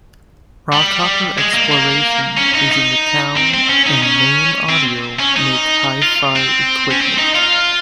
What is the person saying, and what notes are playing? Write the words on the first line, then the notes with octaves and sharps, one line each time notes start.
Rockhopper Exploration is in the town and Naim Audio make hi-fi equipment.
G3
G#3
A#3
A#3
C#4
D#4
D#4
C4
C4
C#4
D#4
C#4
C4
C#4
D#4
F4
C4
C#4
C4
D#4
F4